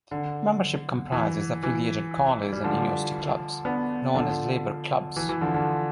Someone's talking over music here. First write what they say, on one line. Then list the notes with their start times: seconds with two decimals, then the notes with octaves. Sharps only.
Membership comprises affiliated college and university clubs, known as Labour Clubs.
0.11 D3
1.12 E3
1.63 E3
2.53 G3
2.64 D3 F3
3.65 B3 D4
4.15 D3 F3
5.16 E3
5.29 E3
5.41 D3 F3
5.54 D3 F3